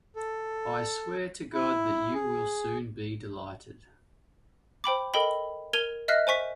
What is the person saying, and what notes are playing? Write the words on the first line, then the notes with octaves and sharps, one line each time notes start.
I swear to God that you will soon be delighted!
A4
E4
G#4
C5 G5 B5 D6
A4 A#4 D#5 G5 B5
A#4 G#6 D#7 F7 G7
D#5 E5 F6 F#6 A#6 C7
C5 G#5 C#6 B6